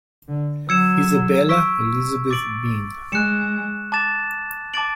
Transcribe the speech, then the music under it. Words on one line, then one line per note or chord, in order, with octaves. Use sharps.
Isabella Elizabeth Byng.
D3
F#3 E6 G#6 C#7 E7
C#6 E6 B6 D7
D6 A6 D7 F#7
G#3 F#6 C#7 E7
A5 D6 A6 E7
A5 D6 A6 D7 F#7